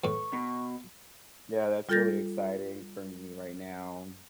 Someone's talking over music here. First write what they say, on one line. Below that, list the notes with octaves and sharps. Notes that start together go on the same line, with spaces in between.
Yeah. That's really exciting for me right now.
E2 A2 C#6
B2
G3 F4 A4 G6 A6 A#6